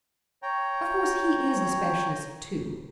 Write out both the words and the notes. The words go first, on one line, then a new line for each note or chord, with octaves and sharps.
Of course he is a specialist too.
C#5 G5 A#5